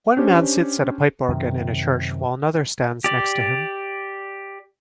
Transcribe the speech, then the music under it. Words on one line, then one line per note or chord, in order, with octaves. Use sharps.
One man sits at a pipe organ in a church while another stands next to him.
C#4 D4 G4 C5
F#2 C3 D#3
G4 D5